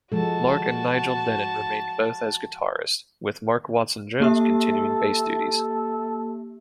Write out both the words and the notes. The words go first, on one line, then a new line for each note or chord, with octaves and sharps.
Marc and Nigel Dennen remained both as guitarists, with Mark Watson-Jones continuing bass duties.
F3 G#3 F#4 A4 A5
A#3 G4 A4 E5